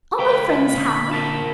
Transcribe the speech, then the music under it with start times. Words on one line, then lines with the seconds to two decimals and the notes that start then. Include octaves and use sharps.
All my friends have.
0.19 C#2 F5 G5 B5
0.74 A#2 D3
1.12 F4 A#4 A5